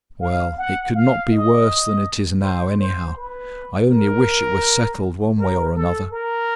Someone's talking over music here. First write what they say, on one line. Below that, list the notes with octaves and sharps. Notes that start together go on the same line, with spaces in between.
"Well, it could not be worse than it is now, anyhow; I only wish it was settled one way or another."
F5
F#5
F5
D#5
C5
C5
B4
A#4
A#4
A4
A#4